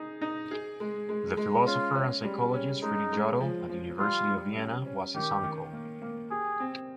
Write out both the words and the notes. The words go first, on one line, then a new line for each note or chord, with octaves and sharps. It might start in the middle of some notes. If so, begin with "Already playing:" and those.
The philosopher and psychologist Friedrich Jodl at the University of Vienna was his uncle.
Already playing: D#4 G#4
D#4
G#4
G#3
G#3
G#3
C#4 F4
C#4
G3
C#4
G#3 D#4
G#3
F3
F3
G3 F4
G3
C#4
C#4
D#3 G4
D#3
A#3
A#3
G4 G#4
C4